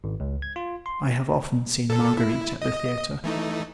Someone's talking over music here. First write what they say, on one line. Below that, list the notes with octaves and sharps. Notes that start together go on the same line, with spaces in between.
I have often seen Marguerite at the theatre.
G#1
C#2
G#6
F4
C6
A#2 A4
E4
D#5
E3 A3 D#4